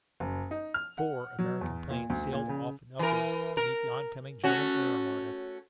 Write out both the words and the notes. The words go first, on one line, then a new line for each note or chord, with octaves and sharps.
Four American planes sailed off and upward to meet the oncoming German air armada.
F#1
D#4
F6
F#5
F#3
E2
A#2
D2
A#2
C#3
E3 A#4
A#4
A3 C#4 F#4